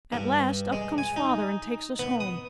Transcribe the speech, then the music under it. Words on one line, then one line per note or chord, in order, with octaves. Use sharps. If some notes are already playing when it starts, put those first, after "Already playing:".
At last, up comes father and takes us home.
G2
G#3
G#5
D#4
B3
D#6